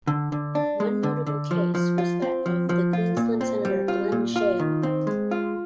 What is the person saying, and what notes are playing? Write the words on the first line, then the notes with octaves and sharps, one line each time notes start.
One notable case was that of the Queensland Senator Glen Sheil.
D3
D3
D4
G#3
D3
D3
F3
F3
F4
C4
F3
F3
F4
A#2
C4
G3
F4
A#2
F4
D#3
C4
G#3
F4